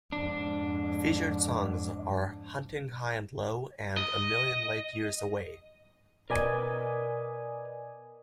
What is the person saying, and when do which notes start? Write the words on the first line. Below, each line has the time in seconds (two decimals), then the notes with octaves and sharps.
Featured songs are "Hunting High And Low" and "A Million Light Years Away".
0.12 F2 G#2 D4
3.97 D#5
6.30 B2 A#4 B4 D5 D#5 G#5